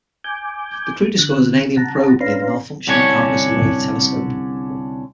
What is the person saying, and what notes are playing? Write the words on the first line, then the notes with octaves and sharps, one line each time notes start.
The crew discovers an alien probe near the malfunctioning Argus Array telescope.
G#5 D6 G6
D3 F#6
C#3 F#5 A5 A#5
C#4 D4 B4 F5 A#5 C6
C2 D3 C#4 D4 G#4 C#5